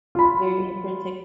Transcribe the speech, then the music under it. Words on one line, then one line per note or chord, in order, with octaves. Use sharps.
very unpretic
F4 B5